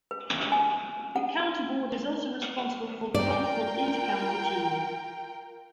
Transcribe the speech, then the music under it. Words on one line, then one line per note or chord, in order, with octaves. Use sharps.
The county board is also responsible for the Longford inter-county teams.
B4
G#5
F#5
F4 A#4 D5 G5